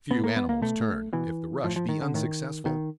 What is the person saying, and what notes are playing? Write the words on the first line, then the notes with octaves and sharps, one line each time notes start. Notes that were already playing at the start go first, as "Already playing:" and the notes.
Few animals turn, if the rush be unsuccessful.
B2 B3
A#3
B3
A#3
B2 A3
B2 E3
A2 F3
F3
D#3
D3
A2 D#3
B2 D#3